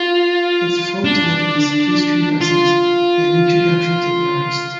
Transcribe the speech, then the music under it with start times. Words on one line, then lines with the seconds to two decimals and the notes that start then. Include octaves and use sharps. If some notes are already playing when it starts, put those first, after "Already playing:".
Its full title is "History Lessens - An Introduction to the Artist".
Already playing: F4
1.04 D4
2.41 F4